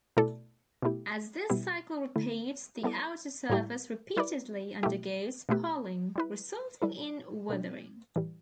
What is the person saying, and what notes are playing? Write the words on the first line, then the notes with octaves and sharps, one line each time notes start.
As this cycle repeats the outer surface repeatedly undergoes spalling, resulting in weathering.
B2 A3 E4 A4 D5
B2 A3 E4 G4
B2 G3 B3 E4 G4
D3 A3 E4
G3 B3 E4 A4 D5
A2 G3 E4 G4 D5
G3 E4 B4 D5
B2 A3 E4 G4
B2 A3 E4 G4 B4
G3 E4 B4
G3 E4 A4
B2 A3 D4
A2 E3 G3